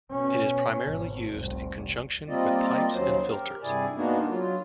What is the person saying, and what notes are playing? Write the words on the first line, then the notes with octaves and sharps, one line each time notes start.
It is primarily used in conjunction with pipes and filters.
B2 C#4
G#1
F1 C2
G3 A#3 C4 F4 D5 D#5
D#2 C#3 F#3 C5
G4 A#4
G2 C3 E4 G#4 D5 G#5
G#3 A#3 B3 D4 D#4 F#4
F#3 F4